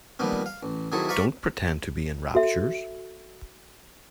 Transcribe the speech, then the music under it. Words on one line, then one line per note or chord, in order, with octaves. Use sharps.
Don't pretend to be in raptures.
A#2 D#3 F3 G3 B3 C4
F5
A1
C3 D#3 F#3 E4 G#4 A4
B4 D5 F5 A#5 B5 C#6
F#4 A4 E5